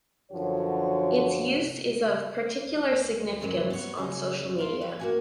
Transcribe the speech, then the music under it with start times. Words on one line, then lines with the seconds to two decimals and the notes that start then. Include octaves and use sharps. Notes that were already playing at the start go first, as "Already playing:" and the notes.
Its use is of particular significance on social media.
0.32 F#2 D3 F3 F#4 C#5
3.41 G2 A#2 C#3 F#3 G#3
3.70 B3 C#5
3.97 C#3 D#4 G#4
4.58 F4 A#4
4.81 B4
4.99 A#3 F#4 G#5